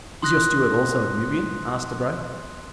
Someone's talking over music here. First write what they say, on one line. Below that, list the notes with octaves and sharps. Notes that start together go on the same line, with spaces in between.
"Is your steward also a Nubian?" asked Debray.
C6 D#6 F#6 A#6